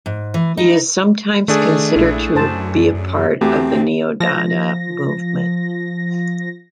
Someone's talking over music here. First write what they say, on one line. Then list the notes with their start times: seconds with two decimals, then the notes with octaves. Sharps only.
He is sometimes considered to be a part of the Neo-Dada movement.
0.06 G#2
0.34 E3
0.57 D#4
1.48 D#3 A3 D4 G#4
1.96 A#1 E4
2.35 F#2 C5 A5
2.94 F#2
3.41 E2 A3 C4 F#4 G4
4.20 F3 A#6